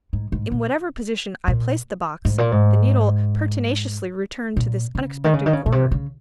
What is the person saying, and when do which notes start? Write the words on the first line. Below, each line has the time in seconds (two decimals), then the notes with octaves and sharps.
In whatever position I placed the box the needle pertinaciously returned to this unexpected quarter.
0.13 G#2
0.32 G#2
0.51 A#2
1.48 A#2
2.25 G#2
2.38 A#2
2.52 G#2
4.57 A#2
4.95 C#3
5.24 D#3
5.33 C#3
5.46 D#3
5.53 C#3
5.66 A#2
5.72 C3
5.91 C#3